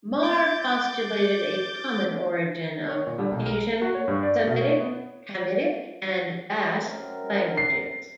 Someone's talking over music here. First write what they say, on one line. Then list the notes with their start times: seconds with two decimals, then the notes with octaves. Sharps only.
Marr postulated a common origin of Caucasian, Semitic-Hamitic, and Basque languages.
0.23 D6 G6 A6
2.88 C#5
3.07 A#2
3.18 G3
3.31 B1
3.46 A#4
3.82 F#4
3.95 C#5
4.08 G2
4.23 D5
4.47 B2
4.61 C#5
4.80 B3
6.73 F#2 C4 A#4
7.57 C7